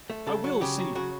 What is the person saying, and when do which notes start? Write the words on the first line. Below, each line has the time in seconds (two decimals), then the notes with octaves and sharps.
I will see!
0.10 A3
0.26 C#3 A4
0.44 F#3
0.61 C#3 G4
0.78 F#3
0.95 C#3 F#4